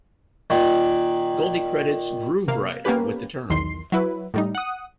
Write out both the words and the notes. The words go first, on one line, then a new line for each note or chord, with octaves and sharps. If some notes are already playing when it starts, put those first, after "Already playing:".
Goldie credits Grooverider with the term.
A#2 D#3
C3 A#3 F5
A#3 B3 C#4 G4 B4
B1 E2 D#3 C6 C7
F#3 E4 B4
A2 G3 D#4
F#5 D#6